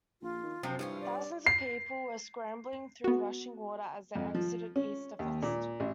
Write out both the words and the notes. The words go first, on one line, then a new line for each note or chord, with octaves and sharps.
Thousands of people were scrambling through rushing water as they exited Easterfest.
A#1 F4
D#3
F#2 C3 F3 C4
G2 F3 C#4 E4 F4
D5
C7
B3 F#4
F2
F3
C#4
D#2
A#2
A1